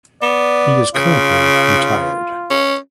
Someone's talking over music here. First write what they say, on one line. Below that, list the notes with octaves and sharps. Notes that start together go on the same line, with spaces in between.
He is currently retired.
B3 D5
C#3 F4
C#4